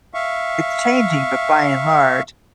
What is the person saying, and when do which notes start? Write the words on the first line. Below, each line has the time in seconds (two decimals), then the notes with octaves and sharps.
it's changing, but by and large,
0.14 E5 F5 C#6